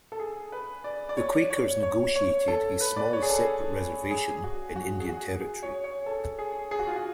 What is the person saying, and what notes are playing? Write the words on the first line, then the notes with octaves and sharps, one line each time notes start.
The Quakers negotiated a small separate reservation in Indian Territory.
A4
G#4
B4
D5
D5
C#5
C#5
C#5
C#5
A4
B4
D5
C#5
G#4
A4
G#4
F#4
F#4
G#4
F#4
G#4
C#5
C#5
A4
G#4
G#4
F#4
F4
F#4